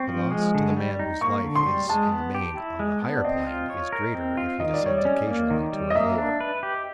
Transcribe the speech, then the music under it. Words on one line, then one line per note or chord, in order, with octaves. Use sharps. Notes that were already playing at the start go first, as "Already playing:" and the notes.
The loss to the man whose life is in the main on a higher plane is greater if he descends occasionally to a lower.
Already playing: C4 C#6
F3
G#3
D3
G3
D#4
A#3 C#6
D3
C6
G3
G#3 A5
B3
G4
E4
G#3
B3
D5
C4 D#5
F4
C#5
A#4
C4
F4
D#3 D#5
D5
G3 C#5
D5
C#4
A#3
D#3
G3
D#5
A#3 E5
D4
B4
G4